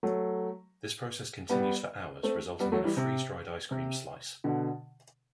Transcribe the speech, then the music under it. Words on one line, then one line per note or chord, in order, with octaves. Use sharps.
This process continues for hours, resulting in a freeze-dried ice cream slice.
F#3 A3
G3 B3
A3 C4
G3 B3
F#3 A3
E3 G3
C3
C3
B2 D3